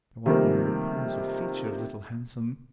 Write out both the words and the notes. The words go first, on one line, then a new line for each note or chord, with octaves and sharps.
I want more repose of feature, Little Handsome.
C3 D#3 F3 G3 A3 A#3